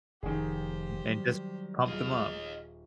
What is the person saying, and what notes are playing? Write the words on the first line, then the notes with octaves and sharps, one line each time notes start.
and just pumped them up.
F1 D#3 G4 G#4 C5
F#3 G3
D#1 G#4 D#5 F5